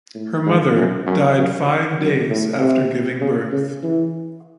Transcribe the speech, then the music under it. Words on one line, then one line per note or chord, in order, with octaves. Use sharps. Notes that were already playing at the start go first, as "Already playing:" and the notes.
Her mother died five days after giving birth.
A2
G#2
F#2
F#2
F#2
F#2
A2
C3
C#3
C#3
E3